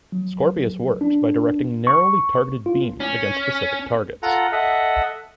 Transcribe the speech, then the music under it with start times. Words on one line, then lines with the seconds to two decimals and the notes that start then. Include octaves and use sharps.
Scorpius works by directing narrowly targeted beams against specific targets.
0.12 F#3
1.01 D4
1.87 C#6
2.66 F4
3.00 C#4
4.23 F4 A4 F#5 A#5
4.52 A4 D#5 E5 F#5